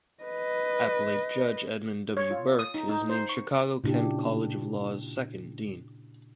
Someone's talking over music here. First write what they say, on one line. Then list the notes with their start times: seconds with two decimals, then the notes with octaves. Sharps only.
Appellate Judge Edmund W. Burke is named Chicago-Kent College of Law's second dean.
0.23 B4 D#5
2.17 C#5
2.31 F4
2.59 D#6
2.74 D#4
2.89 D#4
3.09 C5
3.29 C#6
3.84 A#2 C#3 D4 E4 G4